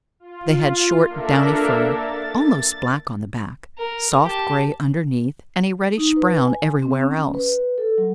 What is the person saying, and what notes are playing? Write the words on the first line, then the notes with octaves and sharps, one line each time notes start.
They had short, downy fur, almost black on the back, soft gray underneath, and a reddish brown everywhere else.
F4
A#3 D4 A4 A#4 E5
A6
A#4
G4 A5
D#4
B4
G#5
C4
C#4
B4
A4
F#3